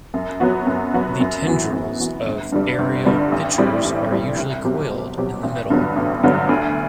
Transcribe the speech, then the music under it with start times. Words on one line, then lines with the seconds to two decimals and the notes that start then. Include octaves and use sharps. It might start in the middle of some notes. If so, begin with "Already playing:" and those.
The tendrils of aerial pitchers are usually coiled in the middle.
0.14 F#2
0.40 F#3 B3 F#4
0.67 F#2
0.93 F#3 B3 F#4
1.20 F#2
1.46 E3 B3 F#4
1.73 F#2
1.99 E3 B3 F#4
2.26 G1
2.52 G2 D3 G3
2.78 G1
3.05 G2 D3 G3
3.32 A1
3.58 A2 G3 C4
3.85 A1
4.11 A2 G3 C4
4.38 C2
4.64 B2 F#3 C4 G4
4.90 C2
5.17 B2 F#3 C4 G4
5.43 A1
5.70 G2 D3 F#3 B3
5.96 A1
6.23 G2 D3 F#3 B3
6.49 D2